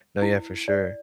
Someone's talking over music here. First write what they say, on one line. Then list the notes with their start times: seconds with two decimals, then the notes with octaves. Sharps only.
No, yeah, for sure.
0.22 E4
0.68 D5